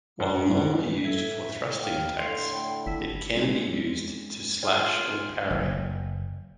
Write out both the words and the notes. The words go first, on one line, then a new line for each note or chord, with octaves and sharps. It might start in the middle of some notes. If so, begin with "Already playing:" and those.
While normally used for thrusting attacks, it can be used to slash or parry.
F#2
A2 A4 E5 G#6
F5 G5
A2 D3 A3 C6 C7 F7
C#5 G5 B5
G1 E4 A5 E6 B6
G#3 A#3 C4 C#4 D#4
F4 G#4 D5 F6
F#1